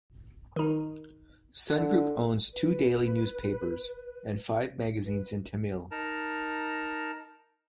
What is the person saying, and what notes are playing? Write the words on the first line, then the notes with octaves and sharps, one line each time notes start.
Sun Group owns two daily newspapers and five magazines in Tamil.
D#3 D#4
D3
B4
B4
D#4 A#4 A5 A#5